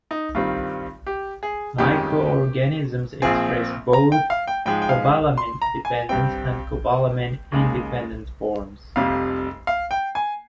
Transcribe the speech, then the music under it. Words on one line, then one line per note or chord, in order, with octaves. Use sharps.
Microorganisms express both cobalamin-dependent and cobalamin-independent forms.
D#4
G2 D#3 G3 C4 F4
G4
G#4
G1 F2 D#3 G#3 C#4 G4
A#1 A#2 F3 C4 G#4
A#5
G5
F5
G5
G#2 F3 G#3 G5
G5
F5
C6
A#5
G#5
G2 G3 C4 G5
D#2 C#3 G#3
F1 F2 C3 G3 F5
F5
G5
G#5